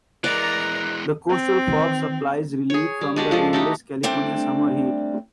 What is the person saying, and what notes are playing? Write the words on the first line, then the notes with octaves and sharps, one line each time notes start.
The coastal fog supplies relief from the rainless California summer heat.
E3 G#3 A#4 D5 A#5 F#6
C4
D#3 E3
G#4 C#5
G3
G#3 D4 F#4 G4
F3 G#3 A4
A3 D#4 F#4 G4
G3 A3 C4 D4